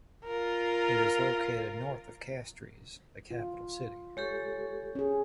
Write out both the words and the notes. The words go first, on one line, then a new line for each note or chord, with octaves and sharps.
It is located north of Castries, the capital city.
F4 A#4
F4
G#3 G4 A4 C#5
C#4 G#4